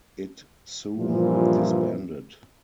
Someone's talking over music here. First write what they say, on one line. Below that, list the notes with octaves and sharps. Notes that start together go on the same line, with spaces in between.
It soon disbanded.
G2 A#2 E3 F3